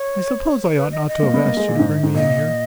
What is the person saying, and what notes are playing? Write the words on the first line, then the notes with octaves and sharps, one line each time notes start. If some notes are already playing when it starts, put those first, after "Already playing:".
I suppose I ought not to have asked you to bring me in here.
Already playing: C#5
B4
D#5
D#5
A#3
B3
A#3
G#3
A#2
G#2
G#2
A#2 D#5